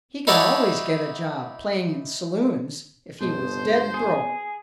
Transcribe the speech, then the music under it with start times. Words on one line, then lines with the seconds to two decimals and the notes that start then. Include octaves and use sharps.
He could always get a job playing in saloons if he was dead broke.
0.27 D#4 E4 C#5 D5 F#5 A5
3.20 G1 B2 C5
3.94 G#4